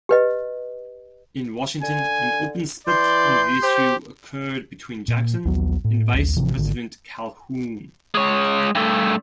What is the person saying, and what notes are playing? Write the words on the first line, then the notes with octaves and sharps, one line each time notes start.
In Washington, an open split on the issue occurred between Jackson and Vice-President Calhoun.
G4 B4 D#5
D3 G#5
E3 D5 C6 G6
G4 C5
A#2
A#1 D#2 F#3 B3
A2
A#1 D#2
G#1 C3 E3 F3
G#1 D3
G#3 C#5
G2 A3